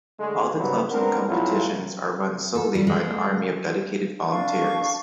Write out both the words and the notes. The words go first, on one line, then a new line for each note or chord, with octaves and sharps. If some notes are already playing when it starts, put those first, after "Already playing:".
All the clubs and competitions are run solely by an army of dedicated volunteers.
D3 G#3 A3
G#2 C#3 F#3 G3 B3
B3 C4 D4 A#4
B1 F2 A2 F#3 E4 F4
A4
G3
G#3
D4 F5 C#6